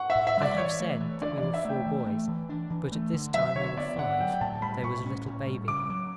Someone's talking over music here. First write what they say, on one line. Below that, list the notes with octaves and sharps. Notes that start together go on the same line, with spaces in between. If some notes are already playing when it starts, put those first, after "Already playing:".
I have said that we were four boys; but at this time we were five--there was a little baby.
Already playing: F#5 C#6
E5
A2
E5
G3 D5
E3 C#5
A3
E3
D4 D5
E3 D5
E5
A3 G5
E3
A3
E3
D4
E3
A3
D3
F#3 E5
D3 C#5
B3 D5
D3 F#5
F#3 G5
G5
A2 A5
G3 B5
A2 C#6
C#4
A2
G3
C#3 D6
F#3